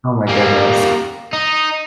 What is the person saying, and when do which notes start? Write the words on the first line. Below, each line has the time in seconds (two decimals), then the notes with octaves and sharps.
Oh my goodness.
0.28 G3 A#3
1.33 D#4